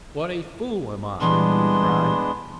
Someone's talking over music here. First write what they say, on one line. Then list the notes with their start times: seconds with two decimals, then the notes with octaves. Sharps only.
"What a fool am I!" he cried.
1.20 A#2 E3 G3 G#3 B3 D4 C6